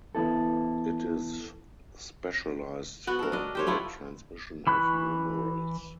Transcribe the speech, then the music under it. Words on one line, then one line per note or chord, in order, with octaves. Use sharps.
It is specialized for the transmission of numerals.
E2 B3 E4 A4
B3 F#4
A4 A#4
D4 D#5
G4 C5 C#5
A3 B3 E4 F4
E3 B5 C#6 F#6